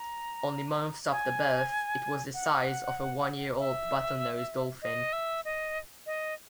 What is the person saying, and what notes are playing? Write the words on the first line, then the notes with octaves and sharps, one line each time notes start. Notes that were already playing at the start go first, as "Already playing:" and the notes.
Only months after birth, it was the size of a one-year-old bottlenose dolphin.
Already playing: A#5
G#5
F#5
E5
D#5
E5
D#5
D#5